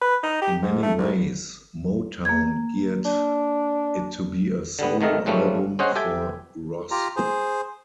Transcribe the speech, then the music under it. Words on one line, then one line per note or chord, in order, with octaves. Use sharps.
In many ways, Motown geared it to be a solo album for Ross.
B4
D#4
G4
G#2
A3
C2
A#3 G#6
D4
D3 G3 B3
G#1 D#3 A3 A#4 D#5
G#2 F3 G3 A3 A#3 C#4
C#4 G#4 C5 D#5 F#5
G4 A4 E5 G5 G#5
F4 G4 A#5
G#4 C5